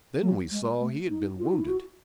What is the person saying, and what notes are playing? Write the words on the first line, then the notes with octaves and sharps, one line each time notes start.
Then we saw he had been wounded.
F#3
G#3
A3
D#4
F4
E4
D#4
E4
F#4